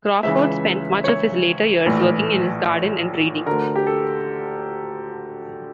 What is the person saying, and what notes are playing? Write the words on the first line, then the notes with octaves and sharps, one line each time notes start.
Crawford spent much of his later years working in his garden and reading.
C#2 C#3 E3 E5
C#5
A#1 A2 E3
D2 D3 A#4
G4
A4